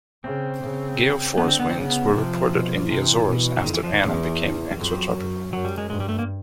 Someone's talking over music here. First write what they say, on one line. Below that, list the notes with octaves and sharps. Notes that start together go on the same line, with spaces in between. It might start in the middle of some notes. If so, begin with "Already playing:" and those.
Gale force winds were reported in the Azores after Anna became extratropical.
C#3 C4
C#3
D3 B3
C4
B3
C4
C#3 B3
C3 F3
B2
C3 E3
B2
E3
F2 D#3
E3
F3
D#3
E2 E3
G3
F2 F#3
F#2
F#2 F#3
G3
G#3
G2 G#3
G3
A3
A#3